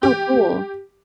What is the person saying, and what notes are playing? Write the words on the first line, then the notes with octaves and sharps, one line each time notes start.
Oh, cool.
G4